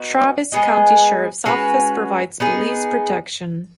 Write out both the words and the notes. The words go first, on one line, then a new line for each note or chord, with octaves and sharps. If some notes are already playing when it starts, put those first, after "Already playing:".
Travis County Sheriff's Office provides police protection.
Already playing: B3 D#4 F#4
G#3 B3 G#4 D#5
G#3 C#4 F#4 B4
B3 D#4 G#4